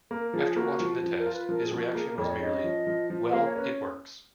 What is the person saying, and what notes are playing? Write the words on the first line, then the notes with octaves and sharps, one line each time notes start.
After watching the test, his reaction was merely Well, it works.
A#3 A#4
F3 G#4
A#3 F#4
F3
F3
A#4
F4
B4
F3 A#4
G#4
F3 F#4
A#3 G#4
A#4
F2 C#5
D#5
C#5
C#4 D#5
F3
F3
F3
F#5
A#3 F5
C#5
C#4 B4